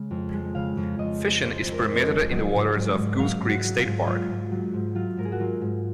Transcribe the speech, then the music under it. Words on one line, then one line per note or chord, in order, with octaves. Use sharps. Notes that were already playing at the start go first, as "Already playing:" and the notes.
Fishing is permitted in the waters of Goose Creek State Park.
Already playing: C#3 G#3
F2
G#3
C#3 F5
F2
F2 D#5
G#3
C#3 C5
F2
A#4
F2
D#5
C#5
G#3
F#3 D#5
G#2
F#3
G#2
F#3 F5
G#2
F#4
F#3
F4
G#2
F#3 F4
G#2
F#3
G#2
F#3 F4
G#2 A#4
G#4
F#4
F#3 F4
G#2